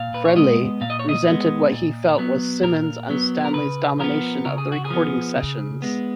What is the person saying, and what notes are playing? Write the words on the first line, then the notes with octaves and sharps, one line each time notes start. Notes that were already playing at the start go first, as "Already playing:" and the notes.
Frehley resented what he felt was Simmons' and Stanley's domination of the recording sessions.
Already playing: A#2 F5
B4
C#5
G#3 B3 D#5
A#2 F5
D#5
C#5
D#5
G#3 B3
A#2
F#3 B3
A#2 A#4
F#3 B3
A#4
C#3 B4
F3 B3 A#4
C#3 A#4
G#4
F#4
G#4
F3 B3
C#3
G#3 B3